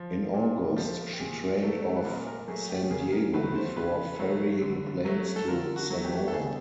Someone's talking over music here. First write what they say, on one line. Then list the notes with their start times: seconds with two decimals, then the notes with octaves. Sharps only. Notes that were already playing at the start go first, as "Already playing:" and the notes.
In August, she trained off San Diego before ferrying planes to Samoa.
Already playing: F3
0.34 A#2
0.76 F3 A3
1.13 G4
1.19 A#2 G#4
1.62 F#3 A3 A4
1.96 B4
2.05 A#2 A#4
2.27 A#4
2.48 F#3 A3 G#4
2.69 G4
2.90 C#3 G#4
3.12 A#4
3.34 F#3 A3 B4
3.55 C5
3.76 C#3 B4
4.19 F#3 A3
4.62 D3
5.05 F#3 A3
5.36 A4
5.48 D3 A#4
5.76 F#4
5.90 F#3 A3
6.04 G4
6.28 A4
6.33 B2 G#4